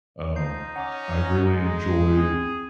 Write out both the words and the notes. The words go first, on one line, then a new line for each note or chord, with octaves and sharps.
um, I really enjoyed.
F3 D#4 G6 C7
C#4 F#5 A#5 D6
G#3
C4 G#4